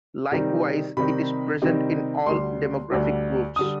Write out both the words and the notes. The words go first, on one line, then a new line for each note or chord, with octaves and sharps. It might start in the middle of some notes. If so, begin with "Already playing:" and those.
Likewise, it is present in all demographic groups.
C3 D#3 G3 C4 D#4
C3 D#3 G3 C4 D#4 B5
C3 D#3 G3 C4 D#4
D2 D3 G3 C6
D2 D3 G3
D3 G3 D#6